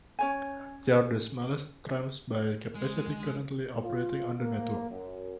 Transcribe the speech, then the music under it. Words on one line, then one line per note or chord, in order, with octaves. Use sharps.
They are the smallest trams by capacity currently operating on the network.
C#4 C#5 G#5
G#3
F4
A#3
F#2